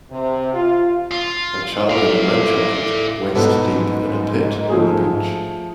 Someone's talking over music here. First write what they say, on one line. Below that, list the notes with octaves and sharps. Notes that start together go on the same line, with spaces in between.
A child in a red jacket, waist deep in a pit on the beach.
C3
F4
F4
E4 A4 D5 E5 F5
G#2 B2 B3 A4
F3 A3 G#4